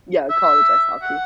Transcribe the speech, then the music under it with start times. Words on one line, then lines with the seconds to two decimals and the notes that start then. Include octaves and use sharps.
Yeah, college ice hockey.
0.30 E5
1.02 F#5